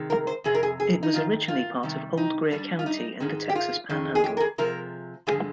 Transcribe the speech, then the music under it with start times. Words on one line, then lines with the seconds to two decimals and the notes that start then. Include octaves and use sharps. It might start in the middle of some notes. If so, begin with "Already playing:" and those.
It was originally part of Old Greer County in the Texas panhandle.
Already playing: C3 D#3 G#3
0.10 A#4
0.27 C5
0.44 F2 C3 G#4
0.55 A#4
0.63 G#4
0.80 G#4
1.03 D#4
1.14 G#2 D#3 F4
1.48 F4
1.83 C3 D#3 G3
2.17 D#4
2.51 G#2 G3 D4
2.79 F4
2.86 D#4
3.20 G#2 D#3 G#3
3.49 G4
3.55 F4
3.89 F2 D#3 G#3
4.15 G#4
4.24 G4
4.37 A#4
4.40 G#4
4.58 C3 F3 G#3 A#4
5.27 G2 D3 F3 G#3 G#4